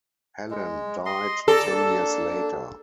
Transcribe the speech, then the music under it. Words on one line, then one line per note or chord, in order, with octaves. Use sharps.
Helen died ten years later.
G#3
D#5 C6
A4 D5 A#5
A#3 D4